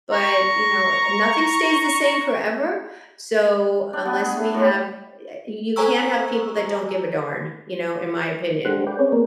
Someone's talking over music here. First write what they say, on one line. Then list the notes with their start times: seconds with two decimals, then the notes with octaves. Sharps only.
but, you know, eh nothing stays the same forever. So, unless we have eh I you can't have people that don't give a darn, you know, in my opinion.
0.12 A#5 C#6
3.93 D4
4.05 B3
4.22 G#4
4.37 A3
4.54 A2
5.76 A4 C5 G#5 A#5 C#6 E6
8.65 G#3 D4 G4 A4 C5 F#5
8.87 B4 D5 G5
8.99 C4 C#4 G#4 B4 C#5 D5
9.12 A#3 B3 A#4